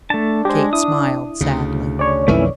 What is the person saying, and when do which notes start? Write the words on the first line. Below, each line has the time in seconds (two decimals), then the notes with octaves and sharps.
Kate smiled sadly.
0.10 A3 D4 A5
0.45 G#3 G4 C5
0.73 E4 D#6
1.41 D2 C#3
1.99 C#4 C#5 D5
2.28 B1 F2 D#3 E3 A3 C#4 E4